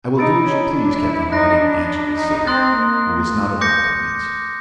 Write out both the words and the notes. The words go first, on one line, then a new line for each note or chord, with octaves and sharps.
"I will do as you please, Captain Harding," answered the sailor, who was not at all convinced.
D#4 B5 E6 A6 D7
C#4
D4
E4
D#4 F#6 A#6 D7
D4
D#4
C4 C6 D#6 F#6 A6
A#3
A3
D6 G6 A#6 C#7